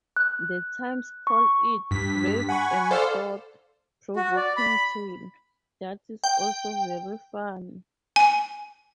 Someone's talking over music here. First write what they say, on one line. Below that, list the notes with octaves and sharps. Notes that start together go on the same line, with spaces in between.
The Times called it "brave and thought provoking telly, that is also very funny".
F#6
C#6
G2 B6
F#5 G#5 B5 C#6
A4 C5 D5 F5 E6 F6
F#4
D5
B5
G5
G#5